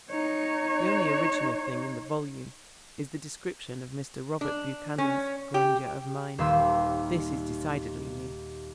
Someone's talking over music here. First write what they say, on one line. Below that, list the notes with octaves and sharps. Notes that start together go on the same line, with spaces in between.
The only original thing in the volume is the description of Mr. Robert Buchanan's 'grandeur of mind.' This is decidedly new.
D#4 C#5
D4
C#4
G4
D#1 D#2 G3 F5 C6 E6